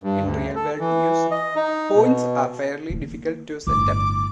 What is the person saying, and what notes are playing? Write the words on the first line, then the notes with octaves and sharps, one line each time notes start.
In real-world use, points are fairly difficult to set up.
G2
D2
A4
E3
D#5
D#4
B2
D#3 A#3
G1 A2 D6